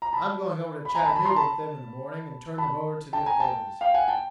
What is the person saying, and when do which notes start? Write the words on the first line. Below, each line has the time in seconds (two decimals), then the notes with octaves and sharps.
I'm going over to Chattanooga with them in the morning and turn them over to the authorities.
0.02 A#5
0.13 A5 B5
0.85 B5
0.95 G#5 A#5
1.05 A5 B5
1.15 A5 B5
1.25 A#5 C6
1.36 A5 B5
2.58 A5 B5
3.13 G5 A5
3.26 G#5 A#5
3.40 G5 A5
3.81 F5 G5
3.94 F#5 G#5
4.08 G5 A5